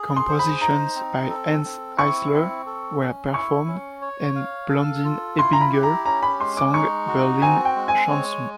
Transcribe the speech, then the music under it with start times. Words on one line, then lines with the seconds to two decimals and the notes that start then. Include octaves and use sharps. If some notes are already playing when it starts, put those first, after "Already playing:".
Compositions by Hanns Eisler were performed, and Blandine Ebinger sang Berlin chansons.
Already playing: G#4
0.16 C6
0.28 C5
0.39 B5
0.61 D#4 A#5
0.96 C4
1.30 A4
1.65 C4
1.97 E4 C#6
2.32 C4
2.66 A4
3.00 C#4
3.34 E4 C#6
3.68 C#4
4.02 C#5
4.35 F5
4.70 A4
5.05 F4
5.39 E4 C6
5.53 A#5
5.61 B5
5.73 G4
5.83 A#5
6.06 C#4 A#5
6.23 B5
6.40 G#3 C6
6.57 D6
6.74 D#4 C#6
7.08 F#4
7.42 C4 G#5
7.65 G5
7.76 G#3
7.88 G#5
8.10 C#5